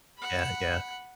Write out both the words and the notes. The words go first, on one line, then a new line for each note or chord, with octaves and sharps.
yeah, yeah.
F#5 B5